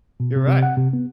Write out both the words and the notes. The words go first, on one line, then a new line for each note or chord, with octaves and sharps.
You're right.
B2
C3
C3
F#5
C3
B3